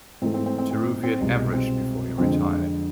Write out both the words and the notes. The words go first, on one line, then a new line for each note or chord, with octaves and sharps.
Taruffi had averaged before he retired.
G#2 E3 A3 C4
C4
C4
C4
C4
C4
C2 B2 G#3
C4
F2 D3 G#3 C4